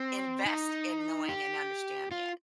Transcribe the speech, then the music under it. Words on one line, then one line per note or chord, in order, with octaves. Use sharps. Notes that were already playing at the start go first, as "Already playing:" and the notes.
invest in knowing and understanding it.
Already playing: C4
D#4
G4
F4